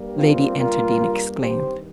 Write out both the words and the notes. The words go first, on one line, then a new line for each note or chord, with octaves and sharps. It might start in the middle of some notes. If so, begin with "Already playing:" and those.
Lady Enterdean exclaimed.
Already playing: G2 G3 A#3
C4 F4
F4 A#4
G2 D#3 C4 G4 C5